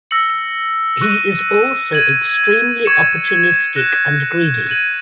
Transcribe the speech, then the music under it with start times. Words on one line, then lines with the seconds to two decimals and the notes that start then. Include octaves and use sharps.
He is also extremely opportunistic and greedy.
0.11 E6 A#6 C#7 F#7
1.01 C#6 F#6 A#6 D#7
1.93 G#6 D#7 F#7
2.85 C#6 G#6 C#7 E7
3.76 F#6 A#6 E7
4.67 G#6 D#7 F#7